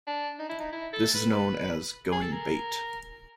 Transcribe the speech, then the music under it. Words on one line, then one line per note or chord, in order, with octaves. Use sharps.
This is known as "going bait".
D4
D#4
E4
D#4
E4
A4
B4
G#4
A4
A#4